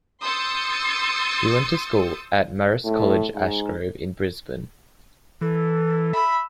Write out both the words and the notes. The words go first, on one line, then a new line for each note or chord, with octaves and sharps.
He went to school at Marist College Ashgrove in Brisbane.
C6 D#6 E6 G6 A6 C#7
A2
G#2
E3 A4
E5 B5